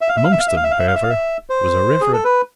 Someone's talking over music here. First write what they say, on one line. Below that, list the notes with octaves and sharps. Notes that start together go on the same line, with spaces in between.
Amongst them, however, was a Rev.
E5
F5
E5
F5
E5
F5
E5
F5
E5
F5
E5
F5
E5
F5
E5
C5
G#4
A4
B4